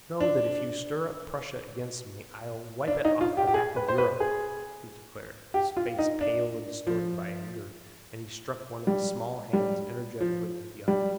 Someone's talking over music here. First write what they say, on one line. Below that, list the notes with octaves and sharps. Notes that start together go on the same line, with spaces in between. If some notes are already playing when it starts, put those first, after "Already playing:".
"Know that if you stir up Prussia against me, I'll wipe it off the map of Europe!" he declared, his face pale and distorted by anger, and he struck one of his small hands energetically with the other.
D4
D4
D#4
F4
G4
G4
G#4
B4
C5
B4
G#4
G4
F4
D#4
D4
F3
G3
G3
F3
G3